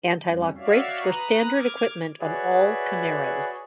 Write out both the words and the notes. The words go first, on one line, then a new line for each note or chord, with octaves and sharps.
Anti-lock brakes were standard equipment on all Camaros.
F2 G3 C#4
F#4 C#5 D5 E5 F5
B4 A#5 D#6 F#6
D6 F6 G#6
F#4 G#4 B4 C#5 D5 E5